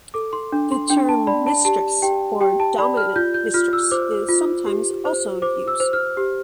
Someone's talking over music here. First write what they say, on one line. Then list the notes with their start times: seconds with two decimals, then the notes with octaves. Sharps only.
The term "mistress" or "dominant mistress" is sometimes also used.
0.14 A4 D6
0.33 C6
0.52 D4
0.72 C6
0.90 D4 G5
1.09 A5
1.27 D5 B5
1.46 A5
1.65 G4 A5
2.02 G4 G5
2.41 G4 G5
2.60 A5
2.78 D5 B5
2.97 F6
3.16 F4 G6
3.34 G6
3.54 F4 F6
3.73 E6
3.91 C5 D6
4.29 F4
4.66 G4
5.05 C5
5.42 C5 D6
5.68 E6
5.80 C5
5.93 F6
6.17 G4